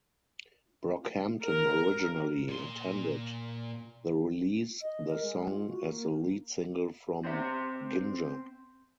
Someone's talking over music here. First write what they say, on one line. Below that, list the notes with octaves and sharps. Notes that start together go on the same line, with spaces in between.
Brockhampton originally intended the release the song as the lead single from "Ginger".
A#4
A#2 C6
D#5
A#4
G#3
F4
F#4
A#3
C4 C5 E5